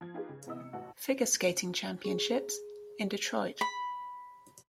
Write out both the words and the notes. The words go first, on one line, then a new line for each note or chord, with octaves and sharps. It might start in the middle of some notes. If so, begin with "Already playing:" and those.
Figure Skating Championships in Detroit.
F3 G#6
D#4 F4 G4 G#4 B4
C#3
C3 E3 B3 E4 D#5 E6
C3 C#7
A1 F#4 B4 A5
G#4
B5